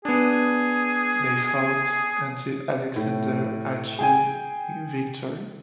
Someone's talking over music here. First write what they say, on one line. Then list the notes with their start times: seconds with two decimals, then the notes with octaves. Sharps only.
They fought until Alexander achieved victory.
0.05 B3 D4 G#4
2.96 A2
3.99 G#4 G5 G#5